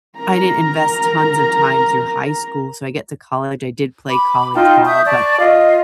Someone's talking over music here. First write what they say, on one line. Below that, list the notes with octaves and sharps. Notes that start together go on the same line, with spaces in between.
I didn't invest tons of time through high school, so I get to college I did play college ball, but
A#4 A#5
B5 D6
D#4 F4 G5 A5
E5 C#6 D#6 G6
D5 A5 C#6
F4 D#5 F5